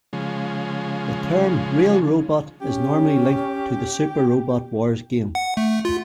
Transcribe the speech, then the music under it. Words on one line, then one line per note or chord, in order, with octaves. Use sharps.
The term "real robot" is normally linked to the "Super Robot Wars" game.
C#3 F3 G#3
C#4 G4
F#5
A3
F4